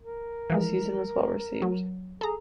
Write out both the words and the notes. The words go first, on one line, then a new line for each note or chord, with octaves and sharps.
The season was well received.
A#4
E3 F3 G#3
F#3
G#4 A4 A#5